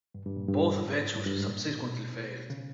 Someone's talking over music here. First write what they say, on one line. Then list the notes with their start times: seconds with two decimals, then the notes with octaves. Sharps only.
Both ventures subsequently failed.
0.15 G2
0.26 G2
0.36 A#2
0.48 G2
0.82 G#2
1.15 G2
1.26 G2
1.38 G#2
1.48 A#2
1.82 B2
2.50 C#3